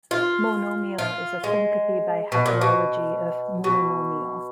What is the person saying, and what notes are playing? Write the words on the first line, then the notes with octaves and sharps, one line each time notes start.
"Monomial" is a syncope by haplology of "mononomial".
F4
F4
G#3
B2
A#2
B2
B2